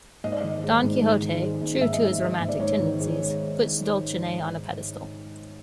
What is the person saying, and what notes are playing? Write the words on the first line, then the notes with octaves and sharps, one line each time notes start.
Don Quixote, true to his romantic tendencies, puts Dulcinea on a pedestal.
G#2 D#5
D5
D#3 D#5
G#3
G#2
G#2
D#3
G#3
G#2
G#2 E5
D#5
D#3 E5
G#3
G#2
D5
G#2 C#5
D#3
G#3